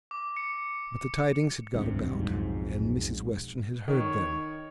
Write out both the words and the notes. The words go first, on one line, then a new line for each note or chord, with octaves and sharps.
But the tidings had got about and Mrs. Western had heard them.
D6
C#7
D#1 C2 G2 C3
B1 F2 G#2
D#3 C#5